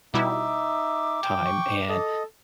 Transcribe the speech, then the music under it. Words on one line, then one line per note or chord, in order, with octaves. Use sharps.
time, and
B2 G3 D#4 E4 E5 D6
G5
C#6
A4 D#5